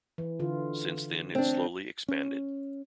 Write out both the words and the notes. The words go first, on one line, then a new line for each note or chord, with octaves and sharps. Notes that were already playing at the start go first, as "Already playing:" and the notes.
Since then it slowly expanded.
E3
D3 F4
C4 D4
C#4